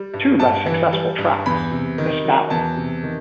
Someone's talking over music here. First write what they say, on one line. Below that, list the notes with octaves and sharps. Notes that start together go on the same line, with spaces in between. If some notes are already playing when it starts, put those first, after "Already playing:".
Two less successful tracks, The Spell!
Already playing: G3
G2
G2 A5
E3
G3
G2
E2 B5
C3
D#3
F#3
E2 A5
C3
D#3